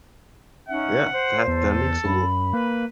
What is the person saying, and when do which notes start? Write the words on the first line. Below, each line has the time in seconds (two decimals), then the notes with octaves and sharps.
Yeah, that that makes a lo
0.68 C#4 D#4 E5 F#5
1.13 C5
1.48 E2 A4
2.05 F#2 B5
2.53 A#3 B4